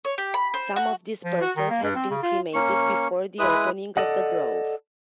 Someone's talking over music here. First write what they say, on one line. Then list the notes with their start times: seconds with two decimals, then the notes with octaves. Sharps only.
Some of these persons had been cremated before the opening of the grove.
0.05 C#5
0.18 G4
0.34 B5
0.54 C5
0.76 F#4
1.24 F3
1.41 F#4
1.57 D#3
1.70 A#3
1.83 G2
1.96 C4
2.11 C#3
2.23 F4
2.54 A#3 C#4 C#6
3.39 G#3 E4 B4 D#6
3.97 A4 D5 D#5 F#5